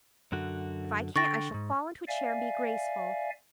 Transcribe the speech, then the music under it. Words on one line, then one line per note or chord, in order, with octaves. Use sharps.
If I can't, I shall fall into a chair and be graceful.
F#2 D3 F#4
D3 G5 C#6 A6 A#6
C2 G#2
D5 E5 F5 G#5